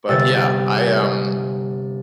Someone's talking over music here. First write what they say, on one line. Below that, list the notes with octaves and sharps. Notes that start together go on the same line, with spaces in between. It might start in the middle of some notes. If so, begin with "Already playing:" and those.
But, yeah, I, um,
G1 C3 E6 A6